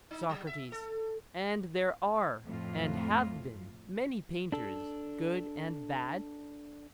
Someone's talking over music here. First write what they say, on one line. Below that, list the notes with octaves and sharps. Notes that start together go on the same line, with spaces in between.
SOCRATES: And there are and have been many painters good and bad?
D#4
F#3
E5
A4
F2 A2 F4
D4 A4